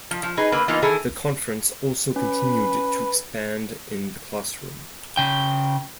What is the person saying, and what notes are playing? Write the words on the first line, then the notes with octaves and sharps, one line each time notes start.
The conference also continued to expand in the classroom.
F3
F3
D#4 G#4 B4
D3 A#3 B4
E3 A#3 B3 D#4 F4
D#3 E3 E4 G#4 A4
C#4 B4
C#3 G5